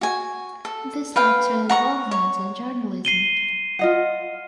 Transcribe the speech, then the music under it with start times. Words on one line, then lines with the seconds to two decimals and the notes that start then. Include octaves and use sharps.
This led to an involvement in journalism.
0.01 F#4 G#5
0.65 A4
1.16 B4 F5 G5
1.69 F#5 A#5 C#6
2.11 C#5
3.05 C7 D#7 G7
3.79 F4 D#5 F#5